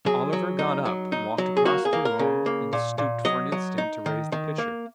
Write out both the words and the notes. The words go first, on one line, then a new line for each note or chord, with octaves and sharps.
Oliver got up; walked across the room; and stooped for an instant to raise the pitcher.
F#3 G#4
F#3
D#4
F#3
D#4
F#3
G#4
A#3 F#4
G#4
A#3
A#4
C#3
A#3
A#2
A#2
F#3 D#5
F#3
D#4
D#3
D#3
A#3